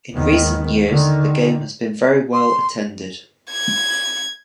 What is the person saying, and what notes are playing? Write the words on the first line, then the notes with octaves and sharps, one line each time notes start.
In recent years, the game has been very well attended.
D#2 G#2 D#3 B3
D3 D#3
C6
G#6